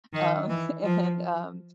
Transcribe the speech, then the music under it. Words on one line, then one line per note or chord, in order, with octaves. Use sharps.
um, and, um,
D#3
E3
F3